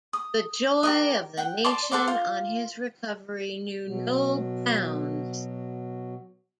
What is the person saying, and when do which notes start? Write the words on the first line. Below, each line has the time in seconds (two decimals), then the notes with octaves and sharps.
The joy of the nation on his recovery knew no bounds.
0.13 D#6
0.83 G4 A#4 D#5
1.37 F#5 G5
1.65 D5 A5 C6 D6
1.91 A4 C5 F#5 D6
2.08 F4
3.86 B2 F#3